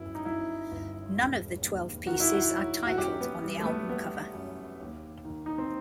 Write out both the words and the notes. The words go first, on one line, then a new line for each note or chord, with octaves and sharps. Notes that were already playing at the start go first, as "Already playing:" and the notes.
None of the twelve pieces are titled on the album cover.
Already playing: G1 F#2 E4
D#4
F#2 E4
G1
E1
D#2
D#3 F#4
E4
F#4
F#3
F#4
F#2 G4
B3
G3
A3
B3
G3 B3
F#2
D#2
D#3
D#4
C4